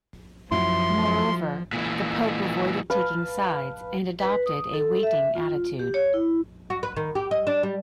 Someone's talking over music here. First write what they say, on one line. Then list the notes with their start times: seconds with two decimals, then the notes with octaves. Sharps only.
Moreover, the pope avoided taking sides and adopted a waiting attitude.
0.51 F#2 F3 E4 F#4 C6
1.72 A#2 E3
2.90 B4 F5 A5 B5
4.20 B4
4.46 D#6
4.73 A4
5.03 E5
5.35 F4
5.79 G4
5.94 C#5
6.14 E4
6.70 F#4
6.83 B4
6.96 D#3
7.15 G4
7.31 D#5
7.47 D4
7.63 G3